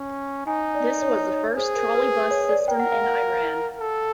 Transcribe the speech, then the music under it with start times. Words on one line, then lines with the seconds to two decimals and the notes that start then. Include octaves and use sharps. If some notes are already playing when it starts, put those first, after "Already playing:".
This was the first trolleybus system in Iran.
Already playing: C#4
0.47 D#4 G#5
0.75 D5
1.02 C#5
1.30 C#5
1.57 G#4 C5
1.76 A#4
1.95 B4
2.31 C#5
2.49 D5
2.68 A#4 G5
2.80 F#5
2.92 F5
3.03 F#5
3.79 A4